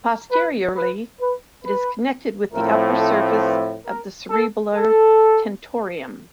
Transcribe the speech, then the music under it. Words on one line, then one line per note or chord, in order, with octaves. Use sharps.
Posteriorly, it is connected with the upper surface of the cerebellar tentorium.
B4
B4
B4
B4
A2 F3 A3 C4 A#4
A4
B4
A#4
A4
A4